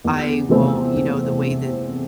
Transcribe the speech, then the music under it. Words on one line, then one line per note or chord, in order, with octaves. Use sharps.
I won't" You know, the way the
E2
C3 E3 A3 C4